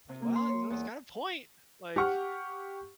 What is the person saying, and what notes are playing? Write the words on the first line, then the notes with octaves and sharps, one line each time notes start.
like, "well, you know, he's got a point, like"
C3
A#3
C6
C#5
E2
G4 F#5 C#6 F6